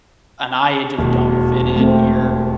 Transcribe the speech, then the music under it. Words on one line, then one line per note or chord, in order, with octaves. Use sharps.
and I, uh, just don't fit in here."
E1 D#2
A3 C4